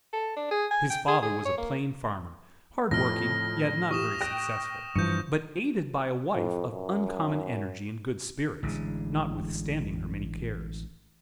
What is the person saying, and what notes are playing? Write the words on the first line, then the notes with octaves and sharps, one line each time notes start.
His father was a plain farmer, hard-working, yet not very successful, but aided by a wife of uncommon energy and good spirits, notwithstanding her many cares.
A4
D4
G#4
G#5
G5
G#4
G#4
C#5
A#3
F2 A2 F6 A#6
E3 G4 C#6 D#6 E7
G5 F#6 A#6
G2 E3 F3 C#6 G6 C#7
F2
F#2
A1 D3 F#3 G#3